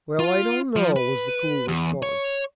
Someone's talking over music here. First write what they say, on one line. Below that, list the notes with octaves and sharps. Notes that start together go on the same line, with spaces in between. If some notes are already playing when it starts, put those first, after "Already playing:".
"Well, I don't know," was the cool response.
F4
F3
B4
E2
C#5